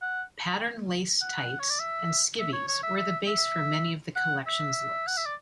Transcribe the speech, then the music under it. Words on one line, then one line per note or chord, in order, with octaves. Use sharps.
Patterned lace tights and skivis were the base for many of the collection's looks.
F#5
F#5
C#5
D5
E5
E5
C#5
C#5
E5
E5
E5
F#5
E5
F#5
E5
D5